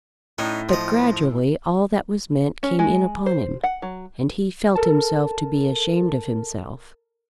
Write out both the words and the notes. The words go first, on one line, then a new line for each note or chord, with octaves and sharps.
But gradually all that was meant came in upon him, and he felt himself to be ashamed of himself.
A2 C#4 D#4
F3 D#5
C#4
G#3
C5
F#5
F#3
A4 A#4 A5